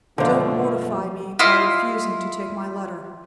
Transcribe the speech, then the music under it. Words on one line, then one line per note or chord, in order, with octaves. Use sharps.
"Don't mortify me by refusing to take my letter."
F#2 B2 D3 F3 A3 C5 F5
E4 F4 D#5 F5